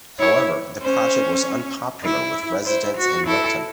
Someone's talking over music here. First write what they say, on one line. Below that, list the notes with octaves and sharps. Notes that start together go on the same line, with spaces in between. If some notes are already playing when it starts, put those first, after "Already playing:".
However, the project was unpopular with residents in Milton.
E4 C#5
C#4 C5
E4
E4 C5
F#4
E4 A4